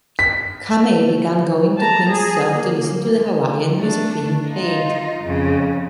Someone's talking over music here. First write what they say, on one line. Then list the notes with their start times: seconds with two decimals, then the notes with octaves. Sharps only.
Kamae began going to Queen's Surf to listen to the Hawaiian music being played.
0.19 B6
1.78 A5 A#5
2.09 G#4
2.56 A#3
3.75 A3 D4
4.49 D#4 F4
5.24 F2 C#3